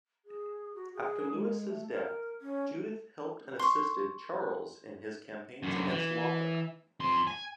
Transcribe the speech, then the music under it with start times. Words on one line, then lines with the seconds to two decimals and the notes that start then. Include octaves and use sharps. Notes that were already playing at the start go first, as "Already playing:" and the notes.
After Louis's death Judith helped and assisted Charles in his campaigns against Lothar.
0.25 G#4
0.74 F#4
0.94 G#4
1.32 G#3
1.68 A3
1.92 A#4
2.05 A#4
2.41 C#4
3.59 C6 C#6
5.63 F#2 D3
5.88 E3
7.00 F2 C6
7.27 G#5